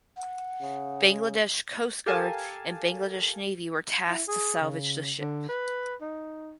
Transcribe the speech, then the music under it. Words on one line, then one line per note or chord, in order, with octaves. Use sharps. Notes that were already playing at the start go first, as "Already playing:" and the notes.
Bangladesh Coast Guard and Bangladesh Navy were tasked to salvage the ship.
F#5
C#3
G4 A4 A#4 F5 G#5 A5
E4
G#4
C#3
D3
B4
D#4